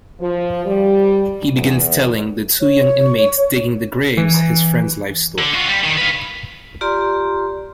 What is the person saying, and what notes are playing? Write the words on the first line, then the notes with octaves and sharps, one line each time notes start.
He begins telling the two young inmates digging the graves his friends' life story.
F3
G3
E2
C#5
E3
D3
F4 F#4
G3
D#3
B4 F5
F4 G4 D5 A#5 C6